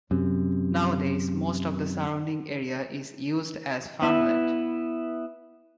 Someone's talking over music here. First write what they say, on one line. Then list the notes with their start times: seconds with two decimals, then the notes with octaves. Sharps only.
Nowadays most of the surrounding area is used as farmland.
0.11 F#2 C3
4.02 B3 E4